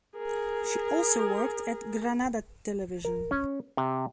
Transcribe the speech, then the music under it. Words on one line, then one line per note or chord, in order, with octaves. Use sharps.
She also worked at Granada Television.
G#4 A#4
A#4
C#4
C3